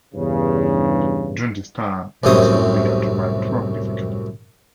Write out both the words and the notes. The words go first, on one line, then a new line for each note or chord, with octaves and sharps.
During this time, Ainsworth began to write prolifically.
E2 G2 C#3
C2 F#2 A2 C3 C5 D#6